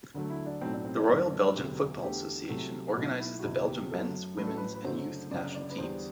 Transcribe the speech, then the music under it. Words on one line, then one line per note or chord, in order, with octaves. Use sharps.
The Royal Belgian Football Association organizes the Belgium men's, women's and youth national teams.
D2 D3 F#3 A3
E4
D4
B1 A2 F#3 A3 C4
D4
C4
D4
F#2 D3 A3
E1 D2 C3 F#3
E2 D3 A3 G4
C2 C3 F#3 A3
F#4
B1 B2 F#3 A3 E4
E4
F#4
F#1 E2 B2 E4
G4
F#2 F#3 A3 A4
A1 A2 F#3 A3 B4
A4
B4
B4
F#1 F#2 D3 F#3 A3 C5
F#1 F#2 D3 D5
D5
B4
E2 D3 G3 C5